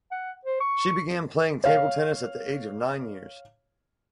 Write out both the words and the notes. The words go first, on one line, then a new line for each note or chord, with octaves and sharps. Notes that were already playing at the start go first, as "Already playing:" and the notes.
She began playing table tennis at the age of nine years.
F#5
C5
C#6
C#5 F5